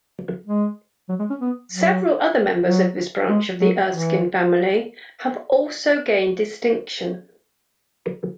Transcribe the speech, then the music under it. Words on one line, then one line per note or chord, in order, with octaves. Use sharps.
Several other members of this branch of the Erskine family have also gained distinction.
G#3
F#3
G#3
C#4
B3
F#3
F#3
G#3
F#3
E3